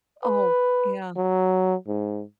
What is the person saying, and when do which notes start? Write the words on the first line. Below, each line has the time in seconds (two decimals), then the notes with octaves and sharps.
Oh, yeah.
0.24 B4
1.17 F#3
1.88 G#2